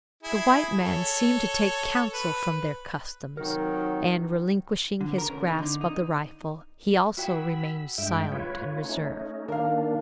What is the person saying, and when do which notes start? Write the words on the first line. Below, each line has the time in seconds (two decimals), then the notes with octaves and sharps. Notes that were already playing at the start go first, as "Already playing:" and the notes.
The white man seemed to take counsel from their customs, and, relinquishing his grasp of the rifle, he also remained silent and reserved.
0.23 E4 G#4
0.84 A4 C#5
2.13 B4
3.37 C3 D#3 F#3 D#4 A#4
5.01 D3
5.18 A#4
5.30 C#3
5.47 D#4
5.59 D3
5.81 D#4
7.17 F#4 G#4 G5 B5 E6
7.98 G2 G#3 E5 G5
8.32 F4 B4 C#5
8.83 A3 C#4 D#4
9.48 D#3 A#3 D4 A#4 F5